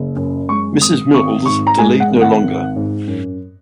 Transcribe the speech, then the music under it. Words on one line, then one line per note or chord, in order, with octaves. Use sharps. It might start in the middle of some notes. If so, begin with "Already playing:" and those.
Mrs. Mills delayed no longer.
Already playing: F#1
F#2
G#3 C#6
G#1 D#6
G#1 C#6
G#2 C#6
A#5
G#3 G#5
F#5
G#1
F#5
G#1
G#2
F#2